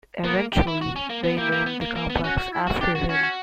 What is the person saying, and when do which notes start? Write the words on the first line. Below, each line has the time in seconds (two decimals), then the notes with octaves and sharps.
Eventually, they named the complex after him.
0.24 A#3 B3
0.53 G4
0.67 E4
0.81 F#4
0.96 C#4
1.10 A#3
1.24 B3
1.38 A#3 E4 G4
1.52 A#3
1.66 B3
1.81 A#3
1.96 A#3
2.10 B3
2.24 C#4 F#4
2.38 F#4
2.52 E4
2.67 F#4
2.81 D4 G4
2.95 F#4
3.09 C#4 F#4
3.23 F#4